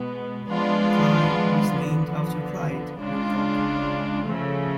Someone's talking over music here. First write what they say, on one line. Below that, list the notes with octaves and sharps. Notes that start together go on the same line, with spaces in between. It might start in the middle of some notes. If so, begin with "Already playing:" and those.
Clyde was named after Clyde, New York.
Already playing: B2 G#3 B3
F3 G#3 B3 D4 F4
D3 F3 B3
C#3 G#3 D4 F4
C#3 F3 A3